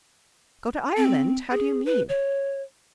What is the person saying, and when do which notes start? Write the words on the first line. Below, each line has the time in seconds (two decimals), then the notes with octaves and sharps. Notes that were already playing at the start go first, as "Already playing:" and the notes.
"Go to Ireland!--How do you mean?"
0.97 C4
1.51 G#4
1.86 B4
2.09 C#5